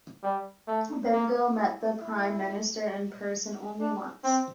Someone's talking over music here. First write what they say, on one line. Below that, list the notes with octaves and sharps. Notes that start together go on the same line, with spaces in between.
Bengough met the prime minister in person only once.
G3
A3
A#3
E4
E4
D4
C4